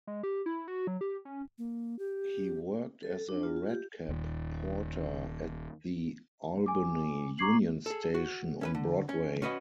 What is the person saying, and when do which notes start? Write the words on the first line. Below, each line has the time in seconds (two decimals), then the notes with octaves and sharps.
He worked as a redcap porter at the Albany Union Station on Broadway.
0.07 G#3
0.23 G4
0.46 E4
0.68 F#4
0.87 F#3
1.01 G4
1.25 C#4
1.58 A#3
1.99 G4
3.03 A4
3.29 D4
3.43 F4
3.57 F4
3.70 G4
4.09 D#1 D#2
6.66 G#5 D6
7.38 A#5 C#6 D6 G#6 C7 F#7
7.86 G#4 A4
8.14 F#4
8.61 C#4 A4 B4
8.75 D3
9.09 C#4
9.42 C#4 F#4 B4 D#5